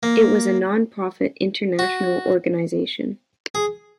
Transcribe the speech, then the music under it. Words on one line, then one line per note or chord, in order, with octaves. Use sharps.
It was a non-profit international organization.
A#3
F#4
G#4